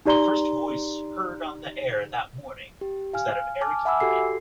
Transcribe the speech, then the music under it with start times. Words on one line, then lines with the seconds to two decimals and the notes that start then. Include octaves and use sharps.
The first voice heard on the air that morning was that of Eric Egan.
0.06 D#4 G4 D5 A#5 C6 G7
2.81 G4
3.13 F5 G#5 F6
3.61 G#5 A5 D6 F6
3.85 E5 F#5 G#5 B5 D6 E6
4.00 F#4 G4 A4 C7